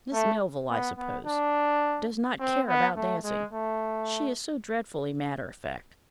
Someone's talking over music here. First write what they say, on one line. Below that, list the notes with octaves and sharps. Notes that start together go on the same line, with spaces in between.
Miss Melville, I suppose, does not care about dancing, she is so dreadfully matter-of-fact.
A3
B3
B3
D4
C4
B3
A3
G#3
A3